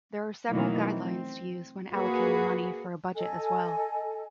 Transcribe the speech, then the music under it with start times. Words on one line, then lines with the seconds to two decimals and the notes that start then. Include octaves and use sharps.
There are several guidelines to use when allocating money for a budget as well.
0.50 B2 D#3 E3 F#3 A3 A#3
0.89 C4
1.92 A#3 F#4 G#4 B4
3.15 A4 D#5 G#5